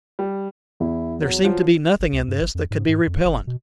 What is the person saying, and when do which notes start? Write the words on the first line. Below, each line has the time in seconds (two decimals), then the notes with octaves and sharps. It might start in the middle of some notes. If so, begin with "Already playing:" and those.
There seemed to be nothing in this that could be repellent.
0.19 G3
0.80 E2 E4
1.21 F#3
1.45 F3
2.00 G1
2.13 C#2
2.28 G2
2.41 G1
2.55 F2
2.71 G#2
2.88 G#2
3.07 F2
3.24 F#1
3.47 B2